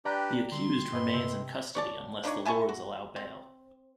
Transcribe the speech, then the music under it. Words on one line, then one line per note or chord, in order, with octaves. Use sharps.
The accused remains in custody unless the Lords allow bail.
D4 G4 B4 D5 G5 A#5
D3 G3 C6
G2 B4 D#5
C3
C#5 D5 A5
F3 D4 D#4 C#5
E4 G#5 A5 C#6
F#4
C4